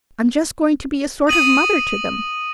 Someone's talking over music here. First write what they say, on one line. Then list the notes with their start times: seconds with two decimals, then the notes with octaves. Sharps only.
I'm just going to be a sort of mother to them.
1.27 D#6 A#6 D#7 F#7